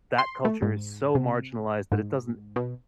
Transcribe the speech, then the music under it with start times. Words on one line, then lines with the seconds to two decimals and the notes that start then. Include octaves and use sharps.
that culture is so marginalized that it doesn't
0.18 C6
0.45 A3
0.62 G#2
1.15 C3
1.92 G#2
2.56 B2